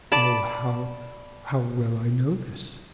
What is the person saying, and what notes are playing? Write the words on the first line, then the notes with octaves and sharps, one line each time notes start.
Oh, how well I know this!
D5 A5 B5